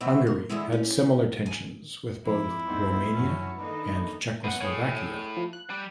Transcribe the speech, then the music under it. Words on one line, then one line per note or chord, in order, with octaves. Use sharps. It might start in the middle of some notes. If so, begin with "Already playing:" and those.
Hungary had similar tensions with both Romania and Czechoslovakia.
B2 A3 C4 E5
A#3
D3 E3 G#3 E4
C#4
G#5
F2 E4 D6
D2 G2 E3 B3 C4 D#4 C5
F#2 A2 C#4 F#4 A5
D#3 A#3 D4 D#4 A4 B4
F#2 B3 F#5
A2 G#4 C#5
F3
F#6
G3